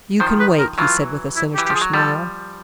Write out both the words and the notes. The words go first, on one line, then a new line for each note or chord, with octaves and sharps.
"You can wait," he said with a sinister smile.
D#3 F3 C5
B4
A#4
E3 F#3 F4
E4
G4
E3
G4
F3 G#4
F#3
F3 G3 A4